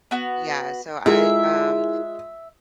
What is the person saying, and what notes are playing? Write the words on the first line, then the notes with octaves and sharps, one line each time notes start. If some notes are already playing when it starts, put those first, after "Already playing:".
yeah, so I, um,
B3 F#4
G#3 E4 F4 G#4 A#4 E5